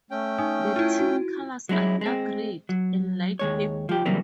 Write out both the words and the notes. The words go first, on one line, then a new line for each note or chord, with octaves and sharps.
The team's colors are dark-red and light purple.
A3 C#4 G5
D#4 G#5 D#6
E4 F4 F6 G6
F#4
F#3 G#3 C#4 E4
G#3 C4
F#3
D#2 G#3 C#5
F3 G4
C#3 E3 F#3 G3 A#3 C4